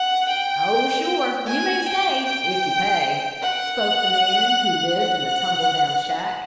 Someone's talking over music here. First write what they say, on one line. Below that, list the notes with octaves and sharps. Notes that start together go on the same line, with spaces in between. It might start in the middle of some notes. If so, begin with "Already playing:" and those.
"Oh, sure you may stay--if you pay!" spoke the man who lived in the tumble-down shack.
Already playing: F#5
G5
G#5
G5
G5
F#5
F#5